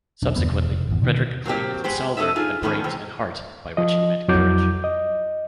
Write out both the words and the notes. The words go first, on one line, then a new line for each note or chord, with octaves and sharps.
Subsequently, Frederick claimed that Saldern had brains and heart, by which he meant courage.
E1 B1 D4
E2 G2 D3 B3
E1
F1
G#1 E2
B2 D3 D#3
F#3 A#3 C4 G4
G#3 B3 G4 C5
D4 A4 C#5 D#5 E5
D#4 F4 G#4
A2 D#3 F3 A3 B3 C#4
E2 C3 C4
F3 D#5
F2 F#3 E4 D6 G6
D#5